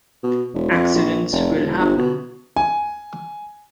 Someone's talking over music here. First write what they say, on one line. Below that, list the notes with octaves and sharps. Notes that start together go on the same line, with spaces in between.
Accidents will happen.
B2
E1
F2
A#1
F1
E1
G1
B2
G#5